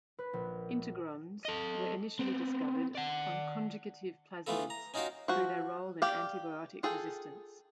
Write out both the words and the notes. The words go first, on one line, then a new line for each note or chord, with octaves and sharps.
Integrons were initially discovered on conjugative plasmids through their role in antibiotic resistance.
B4
A#1
A4 D#5
B3 C4
D5 F#5
E3 A3 B3 F4 A4
A#5
C#4 D#4 F4 F#4 F5 G5
F3 F#4
G4 D5 F5
F4 G#4 A4 G5